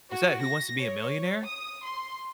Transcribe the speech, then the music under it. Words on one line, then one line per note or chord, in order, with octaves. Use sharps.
was that, Who Wants to Be a Millionaire?"
F#4
A#6
C#5
D#6
C6